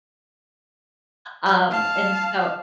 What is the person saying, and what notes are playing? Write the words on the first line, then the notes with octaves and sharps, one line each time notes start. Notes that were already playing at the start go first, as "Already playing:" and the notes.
um, and so
F5 A5